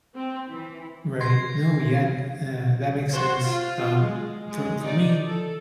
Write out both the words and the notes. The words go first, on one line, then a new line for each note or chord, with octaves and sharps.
Right. No, yeah. Th uh, that makes sense. Um, for for me,
C4
E3
C6 G#6 A#6 C7
F#4 C5
F4
G#3
G#3
D#4 D5
A4